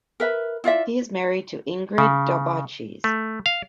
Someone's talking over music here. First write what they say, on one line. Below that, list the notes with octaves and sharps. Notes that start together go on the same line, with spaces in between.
He is married to Ingrid Daubechies.
A#4 B4 E5
E4 F4 D5 E5
C#3
A3
F5